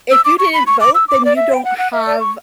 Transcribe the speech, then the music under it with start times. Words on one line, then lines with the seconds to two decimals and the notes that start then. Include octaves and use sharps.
If you didn't vote, then you don't have"
0.11 E6
0.25 D6
0.39 C#6
0.54 B5
0.67 C#6
0.81 D6
0.95 E6
1.08 D6
1.25 D5
1.36 E5
1.54 G5
1.64 F#5
1.78 F#5
1.93 E5
2.06 D5
2.20 C#6